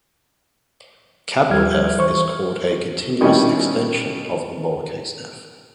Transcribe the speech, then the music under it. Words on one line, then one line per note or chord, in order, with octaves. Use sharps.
"F" is called a "continuous extension" of "f".
D#2 F3 G3 E5 F6 G#6
E3 C5 C#6
B2 D#3 G3 C#4 D4 E4